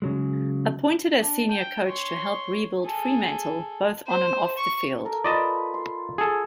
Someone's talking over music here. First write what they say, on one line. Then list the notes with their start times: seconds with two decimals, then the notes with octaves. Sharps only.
Appointed as senior coach to help rebuild Fremantle both on and off the field.
0.02 C#3 F#3 G#3
1.20 D4
1.51 G5
1.86 C#5 C6
2.82 G#4 A4
4.07 C5
4.57 C#6
5.05 A4 A#4
5.24 F4 B4 D5 D#5 A5
5.74 C6
6.18 G#4 A4